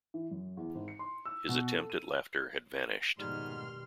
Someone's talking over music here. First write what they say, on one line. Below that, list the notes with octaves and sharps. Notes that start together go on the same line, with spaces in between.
His attempt at laughter had vanished.
E3
F#2
E2
G#1
C#7
C6
E6
B2
A4
D#7
F1 G#2 B2 D#3 G3 C6 F6